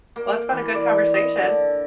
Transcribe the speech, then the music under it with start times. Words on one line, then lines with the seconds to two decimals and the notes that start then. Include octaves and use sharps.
Well, it's been a good conversation.
0.16 A#3
0.51 E3
0.75 D5
1.14 D#5
1.37 D3